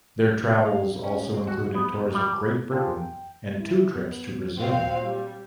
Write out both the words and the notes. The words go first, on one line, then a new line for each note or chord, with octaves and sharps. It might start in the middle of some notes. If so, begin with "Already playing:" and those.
Their travels also included tours of Great Britain and two trips to Brazil.
F5
C#4
C4
F#4
B3
G3
D4 F4 G4 G#4 A#4 C5
G5
E4
B3
A#2 C4 F#4 F5
G3